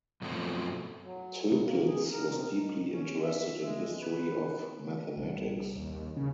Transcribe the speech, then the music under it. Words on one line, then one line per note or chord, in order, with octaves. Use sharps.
Toeplitz was deeply interested in history of mathematics.
F#2 B2 F3 F#3 A3 C4
F#3
E3
A#3
G#4
A#4
C3
D#3
C#4
E5
G#3
B4
B1 C3 G3
D#2
C#3